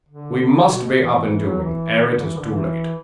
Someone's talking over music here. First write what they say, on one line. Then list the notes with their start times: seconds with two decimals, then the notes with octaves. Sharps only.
We must be up and doing, ere it is too late.
0.09 D3
0.54 D3
0.70 B2
0.84 B2
1.00 E3
1.14 E3
1.30 E3
1.46 F#3
1.61 E3
2.06 D3
2.22 E3
2.37 D3
2.52 E3